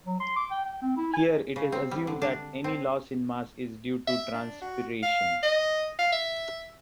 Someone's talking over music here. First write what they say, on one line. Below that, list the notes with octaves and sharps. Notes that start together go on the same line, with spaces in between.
Here it is assumed that any loss in mass is due to transpiration.
F#3
C6
D6
G5
G5
C4
E4
G#5
C#3
C4
G3
D3
D4
C4
E5
D4
F#4
F5
D#5
F5
E5